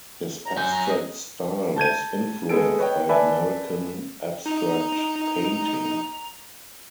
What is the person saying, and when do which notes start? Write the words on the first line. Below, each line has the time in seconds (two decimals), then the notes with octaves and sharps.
His abstract style was influenced by American abstract painting.
0.45 A#5
0.57 F#3 G#5 G6
0.71 A#5
0.89 D#5
1.76 A5 G6 G#6 D#7
2.49 G#3 B3 G#4 A4 D7
2.79 B4 C#5 D#5 G5
3.09 B4 D5 E5 G#5 A5 B5
4.46 D#4 A#5